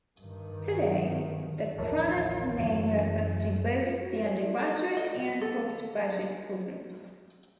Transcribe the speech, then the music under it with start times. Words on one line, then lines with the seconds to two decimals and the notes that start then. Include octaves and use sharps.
Today, the Krannert name refers to both the undergraduate and post-graduate programs.
0.19 G2 D#3
1.78 A1 D#2 F3 A#4 C#5 A5
2.59 F#2 E3 F#3 G#3
3.84 F4
4.00 F#4
4.22 C#5
4.42 E4
4.58 A4
4.97 D#5
5.41 A4